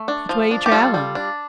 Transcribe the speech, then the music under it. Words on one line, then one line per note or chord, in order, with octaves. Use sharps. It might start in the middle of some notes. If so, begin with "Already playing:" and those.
"Which way you traveling?"
Already playing: A3
D4
F3
D4
G4
G3 F4 A4
G3
D4